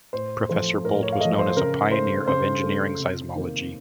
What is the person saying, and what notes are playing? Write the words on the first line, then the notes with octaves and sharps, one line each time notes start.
Professor Bolt was known as pioneer of engineering seismology.
A2 C5
F3 A3 C5
A2 A#4
C#5
F5
F3 A3 D#5
C5
C#3 A#4
A3 C5
C#3 C5
A3
C3
D#3 A#3